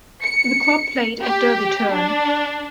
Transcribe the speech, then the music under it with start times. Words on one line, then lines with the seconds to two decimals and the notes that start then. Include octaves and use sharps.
The club played at Derby Turn.
0.23 C#7
1.25 G4
1.94 D4